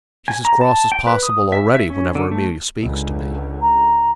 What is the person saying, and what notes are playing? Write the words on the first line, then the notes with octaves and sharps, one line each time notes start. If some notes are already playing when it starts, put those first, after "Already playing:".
She's as cross as possible already whenever Amelia speaks to me.
G#5
A#5
A5
G5
B4
D#6
E5
E5
C#4
D3
A3
C#2 D3
A#5